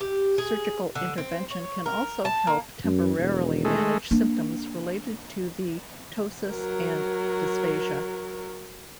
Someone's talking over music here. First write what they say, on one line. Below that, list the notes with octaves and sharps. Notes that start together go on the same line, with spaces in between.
Surgical intervention can also help temporarily manage symptoms related to the ptosis and dysphagia.
G4
G#4
D3
C4
C#5
A#4
A5
A#3
F#2
E1
G#3 A3
A#3 D4
F#3 A#4